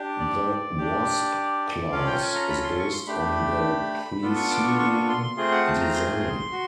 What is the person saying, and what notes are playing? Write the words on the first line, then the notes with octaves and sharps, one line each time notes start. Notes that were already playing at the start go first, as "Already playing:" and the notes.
The "Wasp" class is based on the preceding design.
Already playing: D4 G4
D5
D4 G4
C#4 F4 A4 F5
G5
G#5
A#5
B5
C6
C#6
C6
A3 D4 G4 B5
B3 D4 F4 A4
C#6
D6
C#6
C#6
C#6
C6
C6
A3 C4 F4 G#4 C6
F#5
A5
A#5
C6
F#4